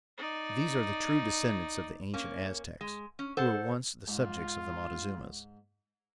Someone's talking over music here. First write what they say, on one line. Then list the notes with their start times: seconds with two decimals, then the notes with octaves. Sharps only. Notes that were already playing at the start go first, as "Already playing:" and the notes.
These are the true descendants of the ancient Aztecs, who were once the subjects of the Montezumas.
0.18 D#4 D5
2.14 A#3 C#4
2.81 G#3
3.19 C#4
3.37 A4 C5 F#5
4.08 G#2 F4